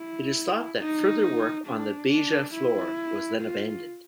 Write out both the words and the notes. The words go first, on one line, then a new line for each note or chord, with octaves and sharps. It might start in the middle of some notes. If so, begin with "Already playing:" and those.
It is thought that further work on the "Beija Flor" was then abandoned.
Already playing: E4
D#4
D4
D4
E4
F4